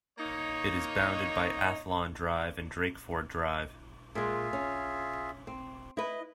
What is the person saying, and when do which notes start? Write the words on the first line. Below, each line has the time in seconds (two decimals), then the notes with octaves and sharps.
It is bounded by Athllon Drive and Drakeford Drive.
0.19 A#3 D#4 C#5
4.15 A#2 G#3 F4 G#4 E5
4.53 C#4
5.47 C4
5.97 E4 B4 D#5